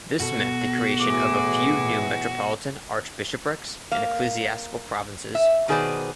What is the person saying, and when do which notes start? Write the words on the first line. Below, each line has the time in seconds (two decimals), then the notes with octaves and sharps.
This meant the creation of a few new Metropolitan archbishoprics and ecclesiastical provinces.
0.20 B2 F#4 A4
0.99 A2 E3 G#4 D6
3.91 A#3 F5
5.35 E5
5.68 B2 D#3 G#4 B4 C5 D5